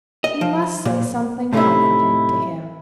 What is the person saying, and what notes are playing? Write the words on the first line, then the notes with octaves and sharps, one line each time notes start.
You must say something comforting to him.
D#5
F3
A#2
A2 C3 A3 C#4 D#4 E4